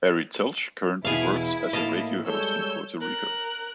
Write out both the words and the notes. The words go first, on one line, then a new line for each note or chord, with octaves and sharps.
Ari Telch currently works as a radio host in Puerto Rico.
E2 B2 E4 G#4 F5
A2 A#3 D#5 F5 A5
G3 G#3 A4 C#5 E6 G6
A#4 F#6